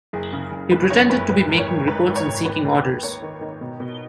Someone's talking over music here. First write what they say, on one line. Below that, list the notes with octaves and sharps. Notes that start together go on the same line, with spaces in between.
He pretended to be making reports and seeking orders.
F#1 G#4
C#3
F#1
F#1 B4
F#1 C#5
F#1 B4
G#1 B4
G#1
C#5
G#1
G#2 B4
G#1
C#5
G#1
D#2 B4
D#2
D#2
D#2 C#5
D#3
D#3
B2
B2